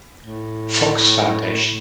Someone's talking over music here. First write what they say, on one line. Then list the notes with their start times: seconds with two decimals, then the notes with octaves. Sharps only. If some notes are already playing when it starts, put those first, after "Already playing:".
Fox Foundation.
0.22 A2